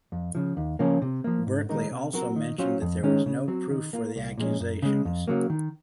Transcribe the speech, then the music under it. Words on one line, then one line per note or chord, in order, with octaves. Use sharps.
Berkeley also mentioned that there was no proof for the accusations.
F2
C#3 F3
D#2
C#3 F3 A#3 C#4
C3
F3 A#3
G#2
D#3 G#3 D#4 A#4
C3
F#3 C4 F#4 A#4
D#3
F#3 C#4 F4 C5
F2
D#3 G#3 C#4
C#3
F#3 C4
D#3
A#3 F4
C2
A#2 F3 G#3 C#4
F#2
C#3 G#3
F2
C#3 F#3 A#3
D#3